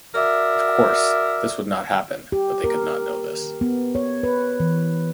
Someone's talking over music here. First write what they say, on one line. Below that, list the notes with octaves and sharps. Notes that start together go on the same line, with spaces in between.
Of course, this would not happen, but they could not know this.
F#4 A#4 D5 E5
G4
A#4
B3
C#5
B4
E3